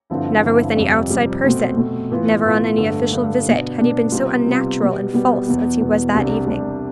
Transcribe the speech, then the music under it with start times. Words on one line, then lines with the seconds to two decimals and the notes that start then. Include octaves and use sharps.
Never with any outside person, never on any official visit had he been so unnatural and false as he was that evening.
0.10 G2 D3 F3 C4 E4
0.43 G2 D3 F3 C4 E4
0.77 F2 C3 G3
1.10 F2 C3 G3
1.44 B2 A3 C4
1.77 B2 A3 C4
2.11 A2 E3 B3 F4
2.45 A2 E3 B3 F4
2.78 G2 D3 A3
3.12 G2 D3 A3
3.45 B2 B3 D4
3.79 B2 B3 D4
4.12 C3 G3 B3 F4
4.46 C3 G3 B3 F4
4.80 B2 G3 B3
5.14 B2 G3 B3
5.47 E2 B2 B3
5.80 E2 B2 B3
6.14 C2 C3 G3 D4
6.47 C2 C3 G3 D4